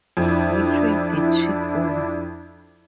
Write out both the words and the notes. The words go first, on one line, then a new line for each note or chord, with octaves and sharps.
Which way did she go?
F2 D4 E4